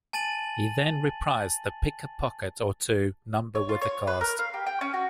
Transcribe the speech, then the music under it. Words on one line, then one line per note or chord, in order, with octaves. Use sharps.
He then reprised the "Pick a Pocket or Two" number with the cast.
G#5 A5 A6 D#7 F#7
C#5
F4
C#5
B4
A#4
F5
G4
G5
C#4
F#4